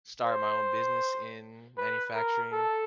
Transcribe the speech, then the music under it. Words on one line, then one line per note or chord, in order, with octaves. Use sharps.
start my own business in manufacturing,
C5
B4
A#4
A4